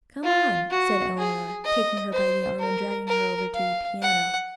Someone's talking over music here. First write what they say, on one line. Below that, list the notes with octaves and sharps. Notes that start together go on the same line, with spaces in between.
"Come on," said Eleanor, taking her by the arm and dragging her over to the piano.
F4
F#4
G#4
D#5
C5
A#4
A#4
F5
F#5